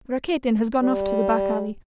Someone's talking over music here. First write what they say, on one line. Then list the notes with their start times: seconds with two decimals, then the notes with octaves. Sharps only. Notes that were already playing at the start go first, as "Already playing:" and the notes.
Rakitin has gone off to the back alley.
0.83 G3